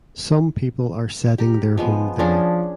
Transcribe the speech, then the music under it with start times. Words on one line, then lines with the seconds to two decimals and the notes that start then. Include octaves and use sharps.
Some people are setting their home there.
1.38 G4 A#4
1.78 F3 G#3 B3
2.19 F3 C#4 D4 G#4